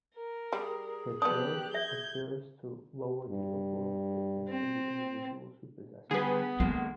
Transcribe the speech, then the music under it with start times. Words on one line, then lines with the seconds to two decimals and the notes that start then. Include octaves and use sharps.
The tail appears to lower the overall fitness of the individuals who possess it.
0.14 A#4
0.53 G3 G#4
1.22 F3 B3 D4 G4 D#6 F#6
1.74 E5 G6 G#6
3.30 G2
4.48 C4
6.11 D3 G3 B3 G4 G#4 B4
6.60 D#3 G#3 A#3 D4